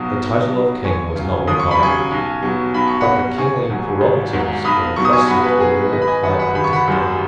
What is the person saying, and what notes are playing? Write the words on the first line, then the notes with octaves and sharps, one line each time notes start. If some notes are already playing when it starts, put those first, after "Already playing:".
The title of King was not revived; but the kingly prerogatives were intrusted to a Lord High Protector.
Already playing: B1 B2 F#3 D#6
B1
B2 F#3
D#2 G#5 C#6
C#3 F#3
D#2 D#6
C#6
B5
C#3 F#3 G#5 C#6
B1
B2 F#3
B1 B5
C#6
F#5 B5
B2 F#3
G#1 G#5 C#6
G#2 F#3
G#1
G#2 F#3
B1 B5 D#6
B2 F#3 C#6
D#6
G#5 C#6
B1 F#5 B5
B4
B2 F#3 G#4
B4
G#1 B4 D#5
B5
D#5 G#5
F#2 D#3 F#3 F#5 B5
F#5 B5
G#1 B5
C#6
F#5 B5
F#2 D#3 F#3